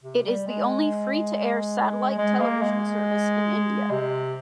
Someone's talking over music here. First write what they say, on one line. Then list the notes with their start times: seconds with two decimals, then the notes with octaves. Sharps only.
It is the only free-to-air satellite television service in India.
0.03 C3
0.25 G3
0.47 G#3
2.18 G#3
2.41 A#3
2.62 G#3
3.91 C3